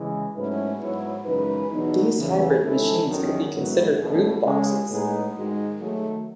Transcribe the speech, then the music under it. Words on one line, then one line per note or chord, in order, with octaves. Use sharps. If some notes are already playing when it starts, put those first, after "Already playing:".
These hybrid machines could be considered 'grooveboxes'.
Already playing: C#3 E3 G#3
G#2 F#3 A3 C#4 E4 B4
G#2 F#3 B3 E4 C#5
F#2 C#3 E3 G#3 D#4 B4
E2 B2 F#3 B3 D#4
E2 C#3 E3
D#3 G#3 C#4 E4 A4
E2 D#3 F#3 C#4
G#2 F#3 B3 E4
E2 B2 A3 C#4 G#4
C#3 G#3 C#4 A4
A2 G#3 B3 D#4 G#4
G#2 D#3 G#3 D#4 F#4
D#3 F#3 A3 G#4